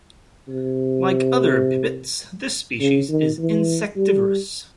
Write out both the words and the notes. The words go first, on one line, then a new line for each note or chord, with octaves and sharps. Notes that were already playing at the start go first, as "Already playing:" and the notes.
Like other pipits, this species is insectivorous.
C3
C#3
D#3
E3
G3